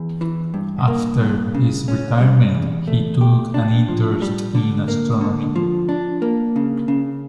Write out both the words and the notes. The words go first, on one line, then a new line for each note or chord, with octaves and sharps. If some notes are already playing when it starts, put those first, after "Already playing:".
After his retirement he took an interest in astronomy.
Already playing: E2
E3
G2
A#3
G2
C#3
C#4
G3
E2
A3
G4
D4
F3
G3
D3
A#3
D3
F3
D4
A#3
C#3
C#3